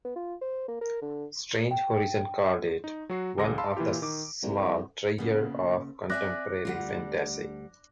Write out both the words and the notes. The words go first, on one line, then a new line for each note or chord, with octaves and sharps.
Strange Horizons called it "one of the small treasures of contemporary fantasy".
B3
F4
C5
A#3
A#4
D3
G5
D#4
F#3 F#4 C7
G#1 C#2 G#4 A4 D6 A#6
F5 A5 B5 C6 E6
A#2 E3 E4 F4 G4
D#3 D6
C2
A#2 C#3 A#3 B3
C4 D5 E5 G#5 D6 F#6 A#6
D2 G3 F4 F#5
D4